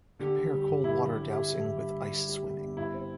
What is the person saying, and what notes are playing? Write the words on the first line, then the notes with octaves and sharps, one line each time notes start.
Compare cold water dousing with ice swimming.
D3 G4
D3
G3
G2
G3 E4
D3
G4
G3
G3 G4
G3
G2
G2
D3
G3
G3
D3
G1
G2 E4
C4